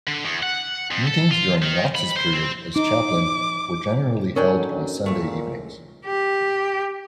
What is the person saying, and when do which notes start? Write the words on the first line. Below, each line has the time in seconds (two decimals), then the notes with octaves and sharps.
Meetings during Knox's period as chaplain were generally held on Sunday evenings.
0.07 D3
0.25 E2
0.42 F#5
0.91 F2
1.08 A4
1.32 F4
1.62 D#3
1.95 B5
2.16 C5
2.33 C4
2.76 D#4 D6
4.36 D3 D#3 F#3 C#4 D4 A#4 G5
5.06 C#2 A#2 A3
6.06 G4